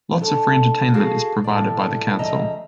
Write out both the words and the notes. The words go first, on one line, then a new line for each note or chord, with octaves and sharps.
Lots of free entertainment is provided by the council.
D4 A4 C#5
F#4 G#4 A4 F5 A5
A2 D5
D2 C#3 F3 D#5 E5 A#5